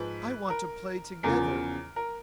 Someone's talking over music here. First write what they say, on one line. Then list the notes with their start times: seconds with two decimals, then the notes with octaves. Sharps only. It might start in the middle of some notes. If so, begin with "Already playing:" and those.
I want to play together.
Already playing: G#2 F3 B4
0.50 A#4
1.23 E2 C#3 F3 A#4
1.96 A#4